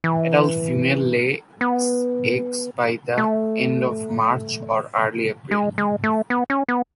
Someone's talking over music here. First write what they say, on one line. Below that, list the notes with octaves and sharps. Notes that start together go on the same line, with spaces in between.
Adult female lays eggs by the end of March or early April.
E3
B3
A3
G#3
G#3
A3
B3
C#4
B3